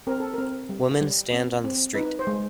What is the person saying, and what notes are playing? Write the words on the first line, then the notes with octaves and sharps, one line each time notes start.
Women stand on the street.
C4 A#4
A4
C4 A#4
G3
G3
C4
C4
D#4 B4
C5
G#3